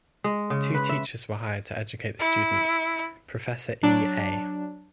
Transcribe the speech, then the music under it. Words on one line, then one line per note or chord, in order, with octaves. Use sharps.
Two teachers were hired to educate the students: Professor E. A.
G#3
C#3
B4
E5
E4
F#3 D4